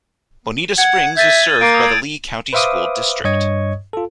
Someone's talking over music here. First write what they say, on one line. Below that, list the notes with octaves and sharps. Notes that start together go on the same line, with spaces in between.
Bonita Springs is served by the Lee County School District.
F#5 G#6
E5 G6 A6 D#7
A#3 D7
D#6 E6
B4 C5 E5 F5 D6 D#6
G2 C#5 D#5 C#6 D#6 G#6
F4 A4